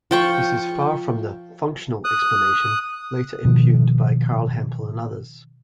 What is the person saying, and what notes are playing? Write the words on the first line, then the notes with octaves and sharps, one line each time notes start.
This is far from the 'functional explanation' later impugned by Carl Hempel and others.
F3 G5 C#6
D#6 F#6
B2 D#3 F3